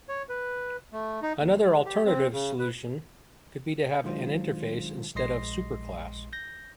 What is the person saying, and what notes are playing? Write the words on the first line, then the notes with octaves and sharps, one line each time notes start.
Another alternative solution could be to have an interface instead of superclass.
C#5
B4
A3
D#4
D#2
G#3
G4
C4
C#3
B4
D#3 F#3 G#3 D4 F4 C5
A#1 G#3 D#5 C6 A#6 C7
G6 A#6